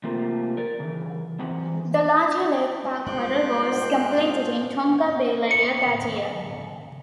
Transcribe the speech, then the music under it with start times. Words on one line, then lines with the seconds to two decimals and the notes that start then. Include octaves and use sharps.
The larger Lake Park Hotel was completed in Tonka Bay later that year.
0.04 C3 F3 A3 A#3
0.57 A#4 D5
0.80 C#3 E3
1.39 E2 E3 C4 F#5
3.06 F2 G#2 B2 F3 G3 C5 G5 F#6
5.51 C#7